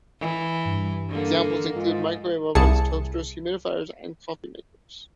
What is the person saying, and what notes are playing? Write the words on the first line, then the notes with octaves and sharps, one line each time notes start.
Examples include microwave ovens, toasters, humidifiers, and coffee makers.
E3
G2
D3 A#3
G#2 F4
C2 E4 G#4 A5 C#7